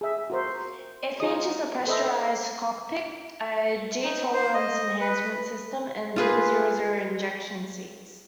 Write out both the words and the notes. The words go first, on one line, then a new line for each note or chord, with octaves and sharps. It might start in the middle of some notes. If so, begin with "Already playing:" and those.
It features a pressurized cockpit, a G-tolerance enhancement system and dual zero-zero ejection seats.
G#4 E5
F#4 A#4 C5
D#4 F4 G#4 C#5 D#5 D#6
A4 B4 C5 D#5 E5
D#4
C5
D#5
B4
F4 G#4 B4